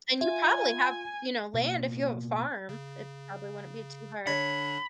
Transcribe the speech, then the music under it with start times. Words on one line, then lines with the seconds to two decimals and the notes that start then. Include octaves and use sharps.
and you probably have, you know, land, if you have a farm. It probably wouldn't be too hard.
0.21 F4 E5 G#5
1.54 B2 A#3
2.69 C#3
4.27 D3 D4 C#5 B5 B6